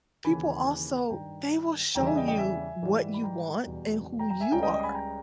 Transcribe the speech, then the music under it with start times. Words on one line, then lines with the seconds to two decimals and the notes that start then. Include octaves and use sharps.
people also they will show you what you want and who you are
0.24 D#2 C#3 E3 G#5 B5
1.10 G2 D#3 G3 G5 A#5
1.95 E2 C#3 E3 G3 G5 A#5
2.06 E5 G#5
2.17 D#5 G5
2.28 D#5 G5
2.38 E5 G#5
2.82 G#2 E3 G3
3.14 B5
3.23 G5 A#5
3.66 E2 B2 G3
4.19 G5 A#5
4.30 G5 A#5
4.40 E5 G#5
4.52 C#2 C#3 G3 G5 A#5
4.62 D#5 G5
4.73 D#5 G5
4.83 G#5 B5
4.94 G5 A#5